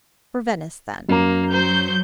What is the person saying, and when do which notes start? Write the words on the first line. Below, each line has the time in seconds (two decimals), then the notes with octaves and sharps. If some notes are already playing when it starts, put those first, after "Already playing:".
'For Venice, then.
1.09 F#2 A#3 A#5
1.52 F#3 C5 G6